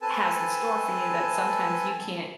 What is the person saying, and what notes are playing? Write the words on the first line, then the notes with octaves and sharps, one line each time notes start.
has in store for you that sometimes you can't
C4 A4 B4 G#5 A5